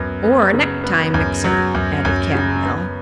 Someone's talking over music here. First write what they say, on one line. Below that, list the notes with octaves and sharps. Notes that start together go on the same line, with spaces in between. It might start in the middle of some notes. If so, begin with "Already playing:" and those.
"Or a necktie mixer," added Cap'n Bill.
Already playing: F#2 F#3 B3
B3
C#3
B3
F#2
F#3
F#2
F#2
C#3
B3